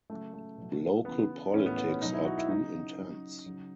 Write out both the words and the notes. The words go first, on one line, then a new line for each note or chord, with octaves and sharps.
Local politics are too intense.
C#3 F#3 A3
A3
B2 F#3
C#3 E3 B3
A2 E3 C#4
B3
B3
C#4
B2 F#3 D#4
E4
F#4
E4
C#3 F#3 D#4
C#3 F#3
C#3 F#3